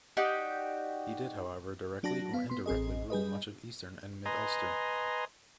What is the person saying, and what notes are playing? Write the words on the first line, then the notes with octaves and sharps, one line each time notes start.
He did however directly or indirectly rule much of eastern and mid-Ulster.
D#4 F#4 G4 D5
F#3 D4 F#4 A5 A#6
B3 F5
B3 C6
A1 C4 G#4 D#5
G3 G#4 B4 D#5
B4 D#5 G#5 A#5 C6